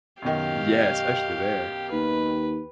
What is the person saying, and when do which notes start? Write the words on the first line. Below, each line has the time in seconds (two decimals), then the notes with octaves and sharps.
Yeah, especially there.
0.22 F#2 B2 D#3 G4 F5
1.92 D#2 B4